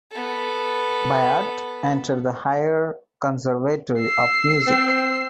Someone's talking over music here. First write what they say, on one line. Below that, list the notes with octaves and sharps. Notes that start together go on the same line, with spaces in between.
Bayat entered the Higher Conservatory of Music.
B3 A4
E6 C7
C4